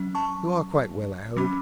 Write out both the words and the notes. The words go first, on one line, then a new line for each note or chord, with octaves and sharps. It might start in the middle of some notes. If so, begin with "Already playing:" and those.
You are quite well, I hope?
Already playing: F#3 C#4
A5 C#6
F#3 C#4 B5 D6